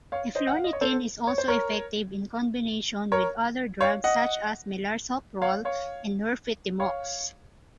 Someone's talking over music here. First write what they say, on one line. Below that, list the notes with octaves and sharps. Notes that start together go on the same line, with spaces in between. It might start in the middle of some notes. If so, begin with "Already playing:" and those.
Eflornithine is also effective in combination with other drugs, such as melarsoprol and nifurtimox.
C#5 F5
C5 D#5
F#5
F5
D#5
C#5
A4 C5
C#5
C5
A#4 C#5
A#4 C#5
C#5 F5
D#5 F#5
C#5 F5
C#5 F5
C#5 F5